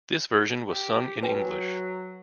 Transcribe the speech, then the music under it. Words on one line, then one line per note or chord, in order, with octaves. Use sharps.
This version was sung in English.
G4
F#3 B4 G5 G#5